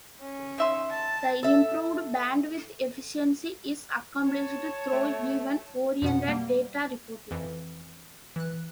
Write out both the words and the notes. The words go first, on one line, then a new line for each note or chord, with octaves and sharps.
The improved bandwidth efficiency is accomplished through event oriented data reporting.
C#4
D#3 E5 C6
A5
A4 E5
C#5 A5
A3
F2 B2 F#5
G3 A#3
F2 E3
E3 F#6